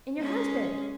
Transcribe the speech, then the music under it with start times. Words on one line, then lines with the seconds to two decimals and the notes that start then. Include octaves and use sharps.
And your husband?
0.20 G#3 C#4